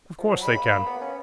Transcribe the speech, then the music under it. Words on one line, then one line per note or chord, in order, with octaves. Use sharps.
Of course they can.
F3
F#3
G#3 B5
A#3
A#3
B3
C#4